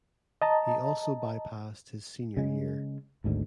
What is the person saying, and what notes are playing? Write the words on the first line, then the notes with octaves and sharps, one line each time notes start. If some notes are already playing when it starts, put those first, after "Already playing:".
He also bypassed his senior year.
D#5 A5 A#5
C#3 G#3
G#1 D2 G#2 D3